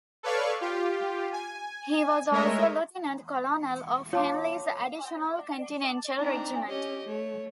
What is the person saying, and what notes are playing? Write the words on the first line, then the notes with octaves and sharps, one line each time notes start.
He was also Lieutenant-Colonel of Henley's Additional Continental Regiment.
A4 B4 C#5 D5 F5 C#6
F4 G4
G#5
G#3 A3 A#4 C#5 D#5 E5
F4 C#5 A5 D6
C4 D4 D#4 A#5
C#4 G4 C#5 D#5
A3 C#5